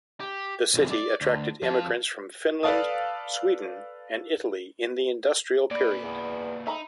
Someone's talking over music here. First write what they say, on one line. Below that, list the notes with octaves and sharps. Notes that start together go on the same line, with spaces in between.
The city attracted immigrants from Finland, Sweden and Italy in the industrial period.
G4
B1 F2
D5
D2
F2 F3
A4 B4 D5 F5 A5 D#6
A#2 B4 D5
E2
D#4 E5 A#5 B5